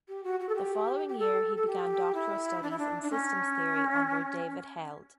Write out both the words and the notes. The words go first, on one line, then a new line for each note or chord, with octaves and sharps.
The following year he began doctoral studies in Systems theory under David Held.
G4
F#4
F#4
A4
G4
G4
A4
A4
G4
E4
D4
E4
D4
D4
C#4